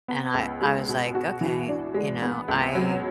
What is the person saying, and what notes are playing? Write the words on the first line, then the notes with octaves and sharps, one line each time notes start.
And I I was, like, "Okay, you know, I"
B3
C#2
G#3
B2
F#4
E3
D4
G#3
B3
C#2
F#3